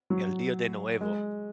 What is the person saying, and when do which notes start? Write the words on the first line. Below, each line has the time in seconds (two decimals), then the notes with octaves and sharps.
el dios de nuevo.
0.10 F#3
1.01 G#3